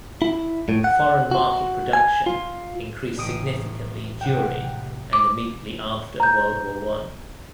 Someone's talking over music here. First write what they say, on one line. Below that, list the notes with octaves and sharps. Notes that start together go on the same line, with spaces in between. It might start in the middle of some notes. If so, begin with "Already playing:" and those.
Foreign market production increased significantly during and immediately after World War One.
E4
A2
F#5
F#4
G#5
F4
A1 D#6 D7 D#7
C3 F#5 G5
D6
A#5 G6